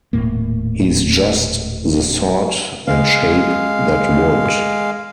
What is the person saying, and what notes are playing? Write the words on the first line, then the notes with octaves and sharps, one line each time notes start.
He's just the sort and shape that would.
D#1 F#2 A2 A#3
G#3 F5